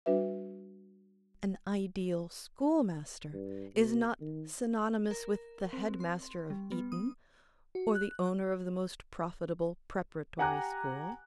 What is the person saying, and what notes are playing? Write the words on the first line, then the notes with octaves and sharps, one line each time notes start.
An ideal schoolmaster is not synonymous with the Headmaster of Eton or the owner of the most profitable preparatory school.
G3 D4 F#4 B4 E5
G2
B2
D#3
A#4
C4
C6
G3
B3
D#6
F#4
F#6
G4 F#5 G#5 A#5 D6 F#6